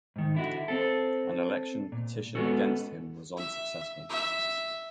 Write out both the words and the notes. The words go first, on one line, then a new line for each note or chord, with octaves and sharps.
An election petition against him was unsuccessful.
G#2 D#3
D3 E4 F#4
C4 A4
A#2
G#3 A#3 B3 C#4 F#4 A4
E5
E5